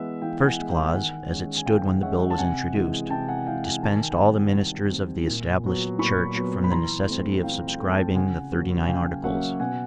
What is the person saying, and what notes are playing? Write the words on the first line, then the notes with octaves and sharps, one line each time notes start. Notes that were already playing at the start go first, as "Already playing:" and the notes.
The first clause, as it stood when the bill was introduced, dispensed all the ministers of the Established Church from the necessity of subscribing the Thirty-nine Articles.
Already playing: E3 G#3 B3 E5 F#5
E3 F5 G5
F#5 G#5
G#3 B3
F5 G5
D#3 F#5 G#5
G#3 C#4
G#5
D#3 F5 G5
G#3 C#4 E5 F#5
A5
C3 F#5 G#5
E3 G#3
C3 G5 A5
F#5 G#5
E3 G#3 F5 G5
F#5 G#5
D#3 A5
G#5
G5
F#5 G#5
G3 C4
D#3
G3 C4
A#2
F#3 B3
A#2 B5 C#6
F#3 B3
B5
E3 A#5 C6
A3 C4
E3 F5 G5
F5 G5
A3 C4
G5 A5
C#3 F#5 G#5
F#3 A#3 C#4
G#5
C#3 F5 G5
F#3 A#3 C#4 E5 F#5
B2 F#5 G#5